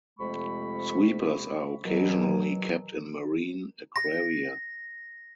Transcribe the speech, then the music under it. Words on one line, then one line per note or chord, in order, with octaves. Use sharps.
Sweepers are occasionally kept in marine aquaria.
F2 C3 G#3 A3 B5 C#6
B2 D#3 E3 F#3
A#6